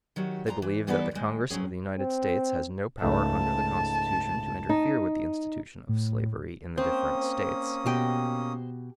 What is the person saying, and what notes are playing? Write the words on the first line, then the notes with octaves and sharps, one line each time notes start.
They believe that the Congress of the United States has no power under the Constitution to interfere with the institution of slavery in the different States.
D#3 F#3 F#4 G4
E2 F4 A5 A#5
E3
E3 G3 B3 D#4 E4 B4
D#2 G#3
F#3 C4 C#4 G#4
C4
C#2 G#2 A3 A5
D#4
A2
A#3 C4 C#4 C5 D#6
B2 G4 D#5 G5